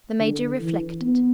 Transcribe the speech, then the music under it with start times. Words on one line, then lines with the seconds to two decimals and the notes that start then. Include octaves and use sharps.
The Major reflected.
0.20 D3
0.60 E3
1.01 B3